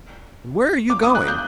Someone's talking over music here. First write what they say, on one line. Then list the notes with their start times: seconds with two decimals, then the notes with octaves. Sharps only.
"And where are you going?"
0.90 D6
1.03 D#6
1.15 F#6
1.28 G6